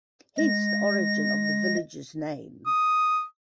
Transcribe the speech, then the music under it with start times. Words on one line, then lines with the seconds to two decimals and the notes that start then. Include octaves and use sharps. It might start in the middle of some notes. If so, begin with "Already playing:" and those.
Hence, the origin of the village's name.
0.38 G#3 A#6
2.66 D#6